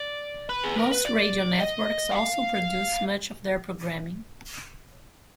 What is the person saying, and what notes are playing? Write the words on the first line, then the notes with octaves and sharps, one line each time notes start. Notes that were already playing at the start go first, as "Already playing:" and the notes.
Most radio networks also produce much of their programming.
Already playing: D5
B4
G#4
A#4
B4
D5
D#5
F#5
F5